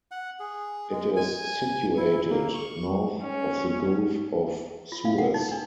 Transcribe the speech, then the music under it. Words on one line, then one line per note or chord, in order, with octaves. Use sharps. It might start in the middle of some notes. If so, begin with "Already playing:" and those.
It is situated north of the Gulf of Suez.
F#5
G#4
G#3
G#5
E4
A#3
C#6
C#4
F4
F5
F#5
D#4
D4